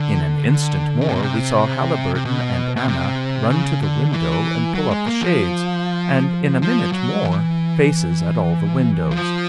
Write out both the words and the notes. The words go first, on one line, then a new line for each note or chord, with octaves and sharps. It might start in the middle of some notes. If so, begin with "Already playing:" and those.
In an instant more we saw Haliburton and Anna run to the window and pull up the shades, and, in a minute more, faces at all the windows.
Already playing: D3
C#3
C3
B2
C3
C3
B2
B2
C3
C#3
D3
E3
F#3
G#3
A#3
F3
F3
F#3
E3
F3